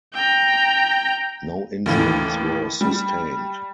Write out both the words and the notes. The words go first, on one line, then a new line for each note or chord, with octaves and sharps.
No injuries were sustained.
G5 A#5
D#2 A2 E3
G3